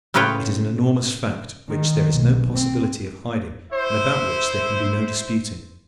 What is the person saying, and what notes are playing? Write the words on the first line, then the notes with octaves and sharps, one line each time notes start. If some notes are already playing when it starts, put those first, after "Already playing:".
It is an enormous fact which there is no possibility of hiding and about which there can be no disputing.
A2 C#3 F4 B4 C#5 G5
D#3
B1
C4
E4 C5